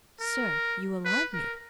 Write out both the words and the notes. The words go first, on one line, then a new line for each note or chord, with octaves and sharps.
"Sir, you alarm me."
A#4
B4
A#4